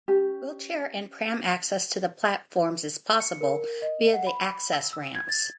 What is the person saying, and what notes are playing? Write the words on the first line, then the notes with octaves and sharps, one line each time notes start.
Wheelchair and pram access to the platforms is possible, via the access ramps.
C#4 G4
C#7
A#4
D#5
F#5
B5
E6
E6
G#6
A6